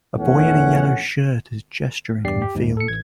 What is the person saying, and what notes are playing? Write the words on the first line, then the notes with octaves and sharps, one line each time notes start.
A boy in a yellow shirt is gesturing on a field.
A#1 E2 A3 C#4 F#5
E2 G2 G4 D5 C7
G4
D#2 G#2
A4 C#7
A1 G#6